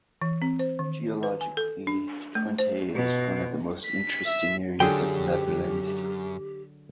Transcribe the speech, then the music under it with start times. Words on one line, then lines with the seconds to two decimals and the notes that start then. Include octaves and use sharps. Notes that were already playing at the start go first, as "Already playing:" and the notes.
Geologically, Twente is one of the most interesting areas of the Netherlands.
0.22 E3
0.42 C4
0.59 C5
0.79 D#3
1.23 B4
1.41 G#5
1.57 A4
1.87 D4
2.35 A3
2.59 C5
2.95 B2
3.85 B6
4.25 E5
4.80 F#2 D3 F#3 G4 G#4 G5